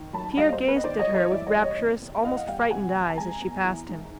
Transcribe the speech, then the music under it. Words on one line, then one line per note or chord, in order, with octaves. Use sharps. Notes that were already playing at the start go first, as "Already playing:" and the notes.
Pierre gazed at her with rapturous, almost frightened, eyes as she passed him.
Already playing: D#3
F#2 A5 B5
G3 D#5 F5
C5
B3
B4
D#5
D#3 C5 D5
C#5 D#5
F#2
C#5 D#5
E3 D5 E5
C#5 D#5
G3
C#5 D#5
C3
E2
E3 D#5 F5
F#5
G3 F5 G5
C3 F#5 G#5
E2
A5
G#3 G#5 A#5
B3
E3
G#2